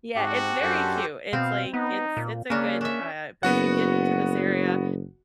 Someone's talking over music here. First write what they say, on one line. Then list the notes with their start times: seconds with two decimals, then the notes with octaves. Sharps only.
Yeah, it's very cute. It's, like it's it's a good, uh but if you get to this area,
0.16 G#2 C4 F#4 G4 A5
0.61 F#2 D4 G4 A4 C5 F#5 G#5
1.33 B2 C4 F5
1.74 B3 D#4
2.17 A#2
2.50 C#3 A#3 C#4 D4
2.81 C#4 D4 E5
3.43 F#1 B3 F#4 F#5